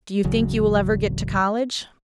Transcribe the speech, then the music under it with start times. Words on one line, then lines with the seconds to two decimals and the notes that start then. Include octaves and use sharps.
"Do you think you will ever get to college?"
0.24 D1 A1 C#3 F#3